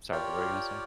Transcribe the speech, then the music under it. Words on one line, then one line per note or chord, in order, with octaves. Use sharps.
Sorry, what were you gonna say?
F4 G4 A#4 C#5 D5 G5